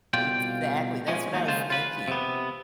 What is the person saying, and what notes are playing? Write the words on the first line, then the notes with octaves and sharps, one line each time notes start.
Exactly, that's what I was thinking.
C2 B2 F4 D5 G5
F3 G#3 C#4
D#2 F#3 D#4
C#3 G#3 F4 C5
F4 B4
C3 B3